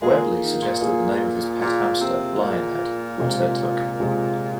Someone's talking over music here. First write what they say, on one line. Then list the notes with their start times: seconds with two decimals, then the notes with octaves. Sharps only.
Webley suggested the name of his pet hamster, Lionhead, which they took.
0.02 G#3 A#3 F4 G#4
0.41 D#3
0.62 A#2
0.81 A#3 F4 G#4
1.61 A#2 A#3 F4 G#4
2.01 C3
2.40 A#2 A#3 F4 G#4
3.19 C3 G#3 F4 G#4
4.00 C3 G#3 F4 G#4